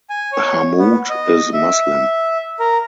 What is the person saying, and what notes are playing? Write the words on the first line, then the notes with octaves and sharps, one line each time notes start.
Hammoud is Muslim.
G#5
C#5
B3
D#5
E5
A#4